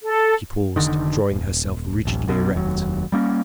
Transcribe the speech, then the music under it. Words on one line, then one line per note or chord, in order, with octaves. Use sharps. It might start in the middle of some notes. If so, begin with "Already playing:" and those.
She paused, drawing herself rigidly erect.
A4
F1 D3 D#3
D#1
D1 A1
B1 F#2 B2
F1 D#2 F#3
G3 A#3 C#4